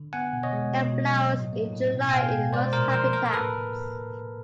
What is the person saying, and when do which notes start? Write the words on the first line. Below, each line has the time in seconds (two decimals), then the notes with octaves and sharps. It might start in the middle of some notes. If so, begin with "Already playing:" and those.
It flowers in July in most habitats.
Already playing: D3
0.13 B3 F#5 G#5
0.33 B2
0.43 C#5 D#5
0.53 G#3
0.73 B2
0.93 B2
1.13 F#3
1.33 A2
1.53 A#3
1.73 A2
1.94 B2
2.09 G#5
2.13 B3 F5 G5
2.33 B2
2.53 G#3 C5 D5
2.73 A#2 A#4 C5
2.93 F3 A#4 C5
3.13 A#3 A#4
3.25 A#4
3.33 A2 A4 B4